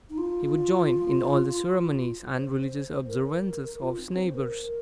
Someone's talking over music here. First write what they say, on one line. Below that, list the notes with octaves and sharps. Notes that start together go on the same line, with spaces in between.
He would join in all the ceremonies and religious observances of his neighbours.
D#4
F4
C5
A#4
F4
C4
C5
A#4